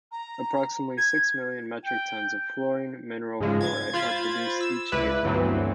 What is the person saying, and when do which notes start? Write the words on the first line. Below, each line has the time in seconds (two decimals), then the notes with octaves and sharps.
Approximately six million metric tons of the fluorine mineral fluorite are produced each year.
0.11 A#5
0.98 G#6
1.85 G5
3.40 G#2 C#3 F3 G#3
3.61 G#6 A6
3.93 F4 C5 B5 G#6 A6
4.61 E6
4.92 C#2 E4 B4 D5
5.23 D2 G2 E3 F#3 B3 C4